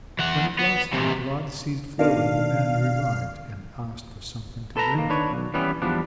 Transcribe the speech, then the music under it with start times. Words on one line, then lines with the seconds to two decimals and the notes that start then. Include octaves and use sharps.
When at last the blood ceased flowing, the man revived and asked for something to drink.
0.19 E3 F#5
0.59 B3
0.93 C3 E3
1.99 B2 D#3 D4 F5
4.77 A4 B4 A5 A#5
4.94 D#3 A#3
5.09 D#3 D4 B4 C#5
5.32 B1
5.54 E3 G3 B3 C#4
5.82 E2 F3 G3 B3 D4